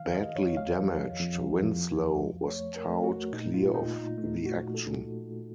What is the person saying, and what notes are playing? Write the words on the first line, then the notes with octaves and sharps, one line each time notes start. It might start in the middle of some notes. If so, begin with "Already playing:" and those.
Badly damaged, "Winslow" was towed clear of the action.
Already playing: D#3 F5
F5
D#5
F2 C#5
F5
F2
F2
F2
F2
A3 C#5
A#4
A3
F#4
A#2 D#4
F4
A#2 D#4
D#4
A3 D#4
F#4
A#2
A4